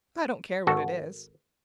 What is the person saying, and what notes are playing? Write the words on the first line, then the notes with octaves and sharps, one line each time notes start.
I don't care what it is.
G#1 F#4 A4